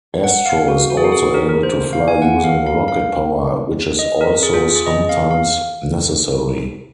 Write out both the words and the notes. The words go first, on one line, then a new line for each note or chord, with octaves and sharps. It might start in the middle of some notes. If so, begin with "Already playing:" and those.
Astro is also able to fly using rocket power, which is also sometimes necessary.
F#5
F5
F#4
F#4
G#4
F#4
G#4
A#4
A#4
C5
F5
G#5
F#5
F5
F5
F5
D#5
A#4
G#4
F4
G#4
D#5
F5
F5